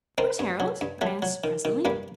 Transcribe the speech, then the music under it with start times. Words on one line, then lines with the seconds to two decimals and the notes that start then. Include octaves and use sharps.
"Where's Harold;" I asked presently.
0.18 D#3 C4 D#4
0.39 G2
0.60 F#3
0.81 G2
1.01 F#3 A3
1.22 F#3
1.44 D#3
1.65 D#3
1.85 G2 G3 A#3